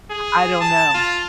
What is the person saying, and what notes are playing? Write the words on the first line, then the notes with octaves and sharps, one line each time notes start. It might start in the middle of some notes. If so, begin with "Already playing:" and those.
I don't know.
G#4
A5
F4